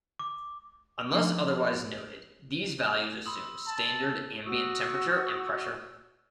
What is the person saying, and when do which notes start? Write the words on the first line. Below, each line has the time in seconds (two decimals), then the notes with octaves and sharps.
Unless otherwise noted, these values assume standard ambient temperature and pressure.
0.19 D6
1.13 F3 D4 D#4 D#5 G#5
3.26 B5 C6 D#6 E6
3.66 A5
4.46 F#4 C#6 D#6 E6